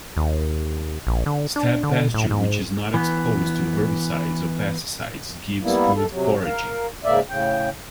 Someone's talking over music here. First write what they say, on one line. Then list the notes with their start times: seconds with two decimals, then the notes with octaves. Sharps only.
Steppe pasture which is not exposed to herbicides or pesticides gives good foraging.
0.17 D#2
1.07 A#1
1.26 D3
1.56 D4
1.83 D3
2.14 A2
2.31 G#2
2.94 E3 B3
5.63 G3 A#3 B3 E4
5.96 F#2 A4
6.11 C3 F#3
6.45 A#4 F5
7.05 G#2 C#3 A#3 D5 E5
7.29 A2 C#3 G5